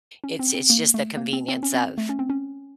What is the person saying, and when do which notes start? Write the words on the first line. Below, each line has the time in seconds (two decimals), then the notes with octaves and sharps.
It's it's just the convenience of
0.24 C#4
0.39 C4
0.54 C4
0.70 A#3
0.94 A3
1.17 A#3
1.33 C4
1.48 C4
1.63 C#4
1.74 C4
1.98 A3
2.09 C#4
2.19 C4
2.30 C#4